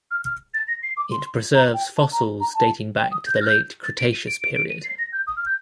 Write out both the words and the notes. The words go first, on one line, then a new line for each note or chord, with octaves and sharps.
It preserves fossils dating back to the late Cretaceous period.
F6
F6
A6
A#6
C7
D6
C6
A#5
G5
A5
A#5
A#5
A5
G5
D#6
G6
A#6
F6
G6
A6
D7
D#7
D7
D7
D7
D#7
C7
A#6
G6
D#6
F6
G6